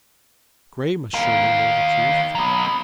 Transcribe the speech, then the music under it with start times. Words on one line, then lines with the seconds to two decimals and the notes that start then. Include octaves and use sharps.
Grey must surely know the truth.
1.14 D#3 F5
2.35 F#3 B3